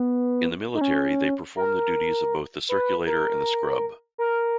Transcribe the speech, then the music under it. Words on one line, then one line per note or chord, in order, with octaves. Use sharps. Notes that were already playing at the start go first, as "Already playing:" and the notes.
In the military they perform the duties of both the circulator and the scrub.
Already playing: B3
D#4
C#4
A#4
B4
A#4
A#4